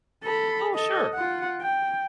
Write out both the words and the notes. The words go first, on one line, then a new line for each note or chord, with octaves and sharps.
Well, sure.
A4 B5
A4 D#5
F4 F#5
G5